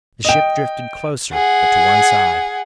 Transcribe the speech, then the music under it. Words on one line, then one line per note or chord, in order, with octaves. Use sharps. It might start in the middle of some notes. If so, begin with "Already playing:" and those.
The ship drifted closer, but to one side.
D#5 G5
G#4 F#5